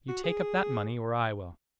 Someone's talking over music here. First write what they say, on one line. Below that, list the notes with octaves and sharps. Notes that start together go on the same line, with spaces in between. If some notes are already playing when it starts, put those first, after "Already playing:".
You take up that money, or I will.
F#4
G#4